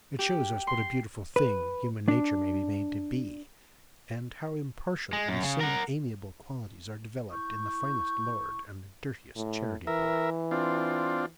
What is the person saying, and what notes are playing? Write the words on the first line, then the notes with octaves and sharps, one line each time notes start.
It shows us what a beautiful thing human nature may be made to be; and how impartially the same amiable qualities are developed in the finest lord and the dirtiest charity-boy.
G4
C6
B4
D4
G#3
F#2
C#3
A#4 F#5
E4 C#6 G6
A2
E3 A#4 E5
C4 D4 F4